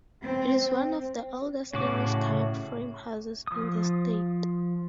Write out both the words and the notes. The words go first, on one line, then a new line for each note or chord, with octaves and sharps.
It is one of the oldest English-type frame houses in the state.
C4
A2 C#3 F#4 C#5 D6
F3 D#6